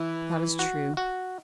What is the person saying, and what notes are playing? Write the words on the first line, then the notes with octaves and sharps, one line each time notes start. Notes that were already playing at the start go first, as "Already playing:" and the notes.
"That is true."
Already playing: E3 E4
F#4
F#4